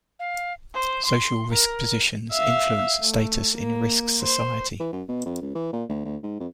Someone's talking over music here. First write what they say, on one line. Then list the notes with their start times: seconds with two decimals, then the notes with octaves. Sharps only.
Social risk positions influence status in risk society.
0.19 F5
0.73 C5
1.05 C6
1.51 A#4
2.32 E5 F5
3.02 A3
3.57 A#3
4.21 C5
4.80 E3
4.93 F#2
5.09 B2
5.26 F2
5.42 C#2
5.55 E3
5.73 A#2
5.89 D2
6.05 D2
6.23 G#2
6.40 F2